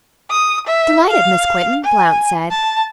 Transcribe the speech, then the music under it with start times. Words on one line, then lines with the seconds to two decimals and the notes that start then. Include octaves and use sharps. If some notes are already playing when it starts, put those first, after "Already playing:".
"Delighted, Miss Quinton," Blount said.
0.31 D#6
0.67 E5
1.10 F5
1.84 G#5
2.51 A5